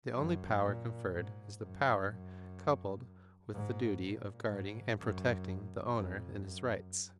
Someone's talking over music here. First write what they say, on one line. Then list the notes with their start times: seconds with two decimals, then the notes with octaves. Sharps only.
The only power conferred is the power coupled with the duty of guarding and protecting the owner in his rights.
0.14 F#2
0.62 A#2
1.11 G#2
1.59 F#2
2.08 F#2
3.53 G#2
4.01 A#2
4.50 G#2
4.98 F#2
5.95 F2
6.43 F#2